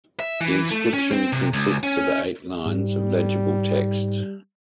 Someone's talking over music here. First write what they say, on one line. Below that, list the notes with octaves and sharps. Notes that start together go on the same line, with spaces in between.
The inscription consists of eight lines of legible text.
E5
E3
A3
C#4
C4
C3
C#2
C#4
G#2 G3